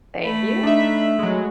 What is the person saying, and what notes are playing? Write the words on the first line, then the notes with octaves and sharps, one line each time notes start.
Thank you.
A3 B5
D4 D#4 E5
F#3 G#3